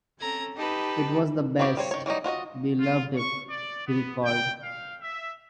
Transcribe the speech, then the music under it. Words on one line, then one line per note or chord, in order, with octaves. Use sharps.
It was the best, we loved it, he recalled.
C4 C#4 A4 A#5 G#6
D#4 G4 B4 A5
B3 C4 E4 F#4 G4
G3 C4 C#5
D#3 C#5
E3 F#3 G3 D#4
F4 F#4 G#4 D#5
F4
C#6
D5
B3
G5
F5
E5